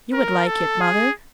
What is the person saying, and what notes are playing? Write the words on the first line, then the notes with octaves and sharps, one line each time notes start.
You would like it, mother?'
A#4
A4
G#4